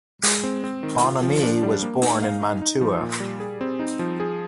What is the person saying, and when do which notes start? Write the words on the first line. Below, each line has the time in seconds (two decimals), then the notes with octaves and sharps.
Bonomi was born in Mantua.
0.23 G#3
0.44 C4
0.64 C4
0.83 D#3
1.03 F4
1.23 F3
1.43 D4
1.63 G3
1.82 A#3
2.02 D#4
2.22 F5
2.42 D#4
2.62 D#4
2.81 F3
3.01 A#2
3.20 G3
3.40 G#4
3.61 C4
3.80 D#4
3.99 F3
4.20 G#4